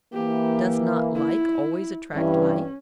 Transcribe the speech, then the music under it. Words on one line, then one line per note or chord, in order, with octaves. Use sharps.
Does not like always attract like?
E3 A#3 G4
E4
G2 E3 C#4